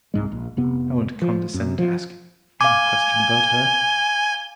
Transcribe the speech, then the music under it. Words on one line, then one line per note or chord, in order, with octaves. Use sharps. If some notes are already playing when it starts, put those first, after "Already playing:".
I won't condescend to ask any question about her.
C2 G#2 G#3
A#1
F1 C3 B3
F3
F#2
F3
F5 G#5 D6 G7